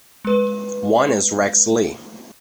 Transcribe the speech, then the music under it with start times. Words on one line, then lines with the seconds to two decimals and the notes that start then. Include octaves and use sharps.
One is Rex Lee.
0.25 G#3 B4